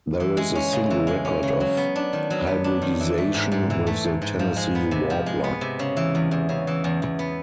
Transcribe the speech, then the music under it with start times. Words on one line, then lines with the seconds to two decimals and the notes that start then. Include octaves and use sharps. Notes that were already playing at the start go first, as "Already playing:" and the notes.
There is a single record of hybridization with the Tennessee warbler.
0.20 E3
0.37 G#3
0.55 C#4
0.73 C#3
0.90 E3
1.07 G#3
1.25 C#4
1.43 C#3
1.60 F#3
1.77 B3
1.95 D4
2.13 D#3
2.30 F#3
2.47 B3
2.64 D4
2.82 D#3
3.00 E3
3.18 A3
3.34 G#2
3.52 G#2
3.70 E3
3.87 A3
4.04 G#2
4.22 G#2
4.39 F3
4.56 G#3
4.75 B3
4.91 C3
5.10 F3
5.26 G#3
5.44 B3
5.61 C3
5.79 C#3
5.97 E3
6.15 E2
6.31 E2
6.49 C#3
6.67 E3
6.84 E2
7.02 E2
7.19 B3